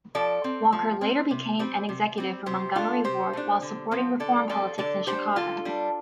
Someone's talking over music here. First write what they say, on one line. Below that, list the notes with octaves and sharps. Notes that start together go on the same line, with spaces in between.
Walker later became an executive for Montgomery Ward while supporting reform politics in Chicago.
F3 A4 D5
C4
F3
C4
C3
G3 C4
C3
G3 C4
C3 G4 C5
A3 D4 F4 A4
C3 G4 C5
A3 D4
D3
F3 C4
D3 A4 D5
F3 C4 A4 D5
D3 A4 D5
G3 D4 G4 C5
D3 F4 A4
G3 D4